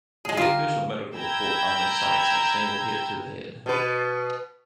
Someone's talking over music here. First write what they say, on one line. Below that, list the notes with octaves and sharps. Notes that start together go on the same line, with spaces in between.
The official medical report only cites a single hit to the head.
G#3 G#4
D3 F4 G4 A#4 F5
G5 A#5 B5 E6 G6 G#6
B2 B4